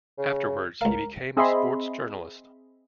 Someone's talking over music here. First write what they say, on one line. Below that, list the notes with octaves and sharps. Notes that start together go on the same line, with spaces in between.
Afterwards, he became a sports journalist.
C#3
C#2 A#4 F5
C4 G#4 D#5 E5 B5 C6